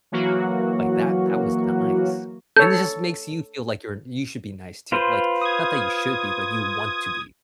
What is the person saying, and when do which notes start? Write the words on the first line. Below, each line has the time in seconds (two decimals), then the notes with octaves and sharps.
like, that that was nice, and it just makes you feel like you're you should be nice too, like, not that you should be, but you want to be,
0.12 E3 F#3 A#3 F#4
2.56 A4 C#5 G6
4.92 F4 B4 C5
5.41 D#6 G#6